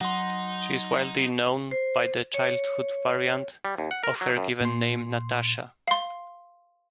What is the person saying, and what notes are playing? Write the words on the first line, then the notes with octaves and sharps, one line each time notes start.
She is widely known by the childhood variant of her given name, "Natasha".
F#3 D#4 F#5 C6
C5
C#5
G3
D#2
F#5
A#4
F#3
F#2
A#2 C6
F5 C6